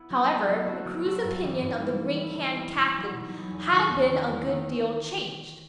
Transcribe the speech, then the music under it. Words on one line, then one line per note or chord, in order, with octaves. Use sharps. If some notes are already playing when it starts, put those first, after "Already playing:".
However, the crew's opinion of the green-hand captain had been a good deal changed.
Already playing: B3 E4
F#3
B3 E4
F#3
A3 C4 F#4 A4
F#3
A3 C4 F#4 A4
G2
E3 G3 C4 D#4
G2
E3 G3 C4 D#4
E3
G3 B3 E4
E3
G3 B3 E4
B2
F#3 B3 D#4
B2
F#3 B3 D#4
E2
D#3 A3
E2
D#3 A3
E2
D#3 A3 D#4